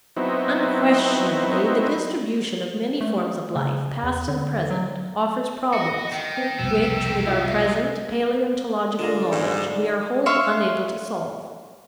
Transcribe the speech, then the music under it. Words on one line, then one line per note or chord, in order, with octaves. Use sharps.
Unquestionably, the distribution of many forms of life, past and present, offers problems which with our present paleontological knowledge we are wholly unable to solve.
F#3 B3 C4 D#4 E4
A3
C#3
E2
D3
F#3
F#4 D#5
D#3 G5
B3 C4
C2 F2 B2 B3 E6
F#3 G4
E4 F4 D#5 E5
D3 F4 G#4 A#4 D5 F5
G#2
C#5 E5 F5 C6